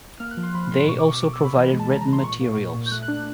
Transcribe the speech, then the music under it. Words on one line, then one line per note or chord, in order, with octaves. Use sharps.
They also provided written materials.
A#3 F6
F#6
F3
C6
F3 B5
A2 C6
B2 C#6
D6
B2 C#6
B2 D6
E6
B2 B5
E3
G#3
A5
G#3 A#5
G#3 A#5
C6
A#2 C#6
A#3
A#2
A#2
G6
A3 F#6
F#6
D4
F#6